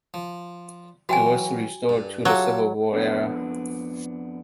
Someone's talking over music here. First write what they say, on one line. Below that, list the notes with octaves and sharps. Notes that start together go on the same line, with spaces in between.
It was restored to the Civil War era.
F3
E3 F#3 F#4 G5 G#5
G2
F#3 F4 G4 A4
F2 B3 D4